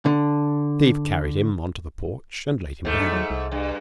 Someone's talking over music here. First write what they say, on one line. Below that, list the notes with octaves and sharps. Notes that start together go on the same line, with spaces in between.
Steve carried him on to the porch and laid him down.
D3
D2 G#2 A3
D4
F#3
C2
G2